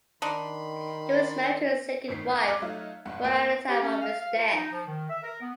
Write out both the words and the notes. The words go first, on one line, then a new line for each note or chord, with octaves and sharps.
He was married to his second wife, Rona at the time of his death.
D#3 D4 D#4 B5 C6
G1 A2 D#3 B6 C7
G6
D6 F6 F#6 G#6
F#3 A3 D#4 F4
F1 G2 F#5
E2 A#3 G#5 D7
G4
C#4
F5
F5
F4
D#4
F3
D#3
E5
A#4
B3